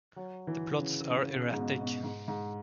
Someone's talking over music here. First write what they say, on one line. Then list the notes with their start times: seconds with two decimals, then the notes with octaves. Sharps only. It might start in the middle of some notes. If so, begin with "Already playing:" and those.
The plots are erratic.
0.16 F#3
0.47 E3
0.79 C#3
1.10 C#3
1.34 B2
1.52 G#2
1.57 B2
1.81 B2
2.03 G#2
2.28 G#2